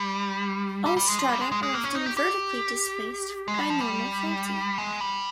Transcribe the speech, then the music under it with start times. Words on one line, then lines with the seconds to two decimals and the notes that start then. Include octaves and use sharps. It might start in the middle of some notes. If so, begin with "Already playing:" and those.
All strata are often vertically displaced by normal faulting.
Already playing: G3
0.86 G3
0.97 G3
1.08 G#3
1.19 F3
1.29 G3
1.41 G#3
1.52 G#3
1.63 G#3
1.74 A#3
1.84 C#4
1.95 D#4
2.06 G4
2.17 G4
3.48 G#3
3.58 G3
3.70 F3
3.80 G3
4.78 G#3
5.01 G3